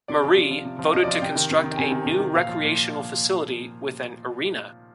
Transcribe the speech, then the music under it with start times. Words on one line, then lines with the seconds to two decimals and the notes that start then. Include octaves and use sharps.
Marie voted to construct a new recreational facility with an arena.
0.08 C3 D5
0.24 F3
0.37 C3
0.51 F3
0.65 C3
0.79 F3
0.93 C3 D#5
1.03 D5
1.08 F3
1.13 F5
1.22 C3 G5
1.36 D#3
1.50 C3
1.64 D#3
1.72 G5
1.77 C3 G#5
1.92 D#3
2.06 C3
2.20 D#3
2.34 A#2 F5
2.48 F3
2.63 A#2